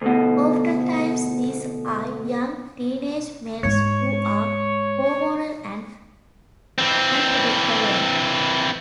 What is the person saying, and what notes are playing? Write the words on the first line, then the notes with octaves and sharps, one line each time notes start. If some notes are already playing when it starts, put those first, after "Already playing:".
Oftentimes these are young "teenage" males who are hormonal and unpredictable.
D2 B2
G#2 G#3 C#5
E3 C4